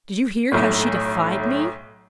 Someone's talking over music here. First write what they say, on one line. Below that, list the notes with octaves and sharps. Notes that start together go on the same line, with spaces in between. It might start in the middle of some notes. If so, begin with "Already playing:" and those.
Did you hear how she defied me?
B1 A2